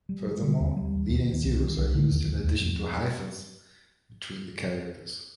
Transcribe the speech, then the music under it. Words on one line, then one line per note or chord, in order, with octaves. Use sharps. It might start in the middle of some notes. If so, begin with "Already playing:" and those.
Furthermore, leading zeroes are used in addition to hyphens between the characters.
G3
G3
D3
D#2
G3
D#2
D#2
D#3
C2
D#3
C2
D3
D#2
D#2
D#2
F2